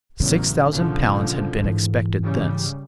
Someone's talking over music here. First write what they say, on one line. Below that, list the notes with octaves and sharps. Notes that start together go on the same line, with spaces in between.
Six thousand pounds had been expected thence.
A1 E2 C#3 F#3
A#1 D3 F3
G#2 E3
C#3 G3